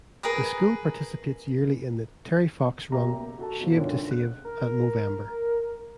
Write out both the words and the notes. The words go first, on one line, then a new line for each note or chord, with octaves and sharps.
The school participates yearly in the Terry Fox Run, Shave to Save and Movember.
G#4 A#4 B4 D#6
F#1 C2 B2 G4 E5 A#5
F#4 A4 A5
B2 F3
G2 D3 D#3 F3 C#4
C#2
F1 F#6
A#4